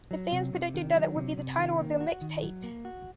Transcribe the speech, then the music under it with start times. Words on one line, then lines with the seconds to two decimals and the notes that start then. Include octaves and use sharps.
The fans predicted that it would be the title of their “mixtape”.
0.11 F#3
0.32 C3
0.53 C3
0.74 D#3
0.95 F#3
1.16 C3
1.37 C3
1.58 D#3
1.80 A#3
2.00 F#4
2.21 D#3
2.42 F#3
2.64 A#3
2.85 F#4